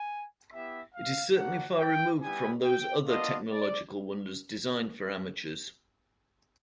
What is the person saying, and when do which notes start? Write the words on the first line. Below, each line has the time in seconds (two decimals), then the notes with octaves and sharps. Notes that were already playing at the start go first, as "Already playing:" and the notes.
It is certainly far removed from those other technological wonders designed for amateurs.
Already playing: G#5
0.52 B3 E4 G4 E5
0.94 F5
1.36 A#3 D4 F#4 F#5
1.79 G5
2.22 G3 B3 E4 G4 G#5
2.64 G5
3.07 B3 D4 F4 D#5
3.51 D5